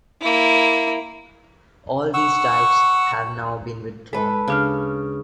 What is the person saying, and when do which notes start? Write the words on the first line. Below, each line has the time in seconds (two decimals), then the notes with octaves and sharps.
All these types have now been withdrawn.
0.21 A#3 E4
2.14 F#5 C#6 E6
4.13 G#3 A4 B4
4.48 D2 C#3 D4 F6